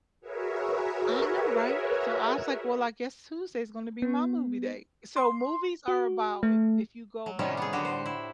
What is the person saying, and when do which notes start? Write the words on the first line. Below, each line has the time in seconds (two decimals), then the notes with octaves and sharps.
I know, right? So, I was, like, well, I guess Tuesday's gonna be my movie day. So, movies are about if if you go matinee,
0.21 F#4 G#4 A#4 B4 C#5 E5
4.02 B3
5.16 C6
5.88 F#4
6.43 A3
7.26 F#3
7.39 A2 C3 D#3 G3 C#4 D5
7.57 B3 G#4
7.73 D3 F#4 G4
7.85 A2 C5
8.06 E4